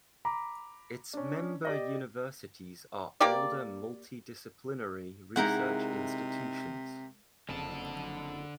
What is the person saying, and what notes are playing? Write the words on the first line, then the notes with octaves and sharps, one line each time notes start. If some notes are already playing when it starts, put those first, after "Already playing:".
Its member universities are older multi-disciplinary research institutions.
A#5 B5 D6
C#4 D4
G4 D5 D#5
A#3 G4 D5
C3 G#3 A#3 D#4 E4 F#5
F#1 F2 D3 A5